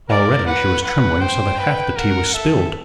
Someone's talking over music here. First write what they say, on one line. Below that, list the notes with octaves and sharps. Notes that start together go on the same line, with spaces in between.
Already she was trembling so that half the tea was spilled.
A#4 D5
B4 F#5
B4 F#5
C5 G5
B4
A#4 F#5
A4 E5